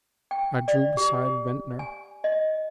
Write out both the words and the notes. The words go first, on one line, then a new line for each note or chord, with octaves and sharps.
I drew beside Ventnor.
G5
D5
G4
G#5
D#5